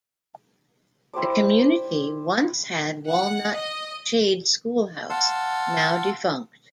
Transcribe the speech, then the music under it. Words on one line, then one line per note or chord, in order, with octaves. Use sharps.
The community once had Walnut Shade Schoolhouse, now defunct.
E4 G4 C5 D5
F#5
D#5
F5 F#5 A5 C6 E6